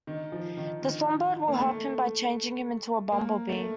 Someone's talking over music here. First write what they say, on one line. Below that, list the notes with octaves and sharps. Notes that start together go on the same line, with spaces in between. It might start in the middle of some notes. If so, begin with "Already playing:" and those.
The Swan-Bird will help him by changing him into a bumblebee.
D#3
F3
D#3
D#3
A#3
A3
A#3
A3